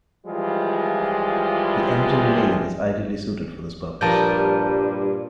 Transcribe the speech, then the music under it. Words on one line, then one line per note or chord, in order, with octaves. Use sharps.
The engine lathe is ideally suited for this purpose.
E3 F3 G3 G#3 F4
G2 A#2 F3 G3 A#4 A5 G6